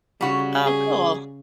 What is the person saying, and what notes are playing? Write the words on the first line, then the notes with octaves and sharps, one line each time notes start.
Oh, cool.
C#3 G3 F#4
G#4